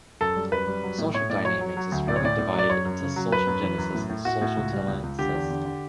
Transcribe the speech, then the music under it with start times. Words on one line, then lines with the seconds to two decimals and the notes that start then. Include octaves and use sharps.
Social dynamics is further divided into social genesis and social telesis.
0.21 F#2 A4
0.36 G3
0.52 F#2 B4
0.67 G3
0.83 F#3
0.98 A2
1.14 A2 C#5
1.30 A2 D5
1.45 F#3 C#5
1.61 F#3
1.77 F#3
1.92 D2
2.07 A2 D5
2.16 C#5
2.23 A2 D5
2.39 A2
2.54 F#3 D5
2.70 F#2 C#5
2.85 F#2
3.01 C#3
3.16 F#3
3.32 F#2 B4
3.47 F#2
3.63 E3
3.78 F#2
3.94 A2
4.09 A2
4.25 A2 F#4
4.41 A2
4.57 C#2
4.73 G3
4.88 C#2
5.03 C#2
5.19 D3 G4
5.34 E2
5.50 D3
5.65 D3